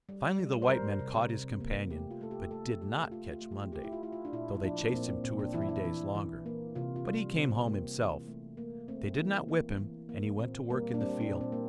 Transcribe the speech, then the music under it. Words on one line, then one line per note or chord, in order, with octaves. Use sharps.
Finally the white men caught his companion, but did not catch Monday, though they chased him two or three days longer, but he came home himself; they did not whip him and he went to work in the field.
G3
G3
C5
G3 A#4
C3
C3
A#3
A3 G4
F4
A3 A4
G4
A3 A4
A3 G4
A3 F4
F4
A3
G4
A3 G4
E4
F4
A3 E4
F4
D4
A#2 E4
E4
F3 D4
C4
A#2 A#3
C4
A#2 C4
D4
E3 E4
D4
E4
E3
E3
A#3
C3 F4
F4
G3
C3 C4
A#3
E3
A3
A3 A#3
A3 C4
E3 A#3
A#3
E3
A#3
A#2 C4
G3 A#3
D4
G3 C4
D4
A#2
D4
C4
A#3